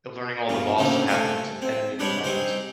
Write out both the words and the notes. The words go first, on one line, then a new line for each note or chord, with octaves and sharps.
learning all the boss patterns and enemy patterns.
G2 B2 F4
A#2 D3 C4 C#4 D#4 F4
A3 A4 C5 F5 G#5 A5
C4
G3 G#3 D4 G4 B4 C#5
G3 C4 D#4 G#4 C5